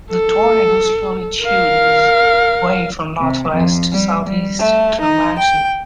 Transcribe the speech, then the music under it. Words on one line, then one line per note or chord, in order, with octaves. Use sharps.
The tornado slowly chewed its way from northwest to southeast through Manson.
A4
A#4 F5
C3
F2
G3
G3
A3
D#4
G5